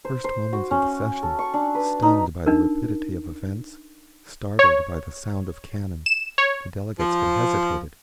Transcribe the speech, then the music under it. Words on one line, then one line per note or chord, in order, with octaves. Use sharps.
In the first moments of the session, stunned by the rapidity of events, startled by the sound of cannon, the delegates had hesitated.
C5
C5
F#4
C#4
A4
C#6
D4
B4
D#4
D4 D#4 A#4
C#5
E7
C#5
F3